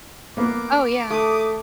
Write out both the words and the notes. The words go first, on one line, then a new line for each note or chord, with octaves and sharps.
Oh, yeah.
A#3 B3 D6
A3 D#6